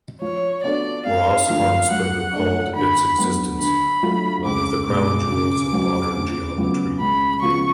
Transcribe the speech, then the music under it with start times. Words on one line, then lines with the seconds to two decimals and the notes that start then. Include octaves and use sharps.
Ross Honsberger called its existence "one of the crown jewels of modern geometry".
0.21 F3 C#5
0.64 B3 D4 F#4 A4 D5
1.06 F2 F5
1.48 D3 F3 A3 F5
1.91 F#3 F#5
2.34 A3 D4
2.76 D3 B5
3.18 F#3 B3
3.60 D3 B5
4.03 F#3 A3 F4
4.45 C#2 D6
4.87 B2 G#3 D6
5.30 C#3
5.73 F#3 C#4 F#4 B4
6.15 D2
6.57 C#3 F#3 B3 F4
7.00 C#2 B5
7.42 C#3 F3 B3 F4 C#6